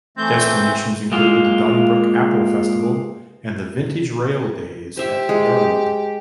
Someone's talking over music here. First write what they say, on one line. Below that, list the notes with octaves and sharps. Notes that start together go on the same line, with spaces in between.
Destinations included the Donnybrook Apple Festival and the Vintage Rail days at Yarloop.
E3 A3 C4 G6
G#3 A#3 F4
G4 C5 E5
G#3